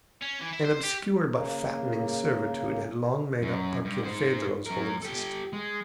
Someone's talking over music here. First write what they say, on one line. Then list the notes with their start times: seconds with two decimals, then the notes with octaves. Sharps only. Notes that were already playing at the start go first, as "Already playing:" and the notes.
An obscure but fattening servitude had long made up Barkilphedro's whole existence.
0.22 C#4
0.41 E3
0.53 E4
0.65 C5
0.83 G4
1.32 C#3 A#3
3.42 F#2
3.85 G2
4.03 G#2 C5
4.66 F#3 A#4
5.02 G4 A4
5.53 G#3